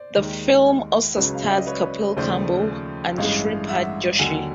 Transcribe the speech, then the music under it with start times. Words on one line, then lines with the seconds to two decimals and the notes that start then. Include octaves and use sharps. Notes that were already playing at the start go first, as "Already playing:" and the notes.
The film also stars Kapil Kamble and Shripad Joshi.
Already playing: C5 D5
0.15 D#2 D#3 G#3
1.16 C#2 C#3 F#3 B4 C#5
1.34 F5
1.42 E5
1.50 D#5
1.59 D5
1.67 B4 C#5
2.17 D#2 C#3 F3 A3 C5 D5
3.18 A1 G2 E3 G#3 D#5 F5
3.69 E5 F#5
4.19 D#2 D3 F#3 F#5 G#5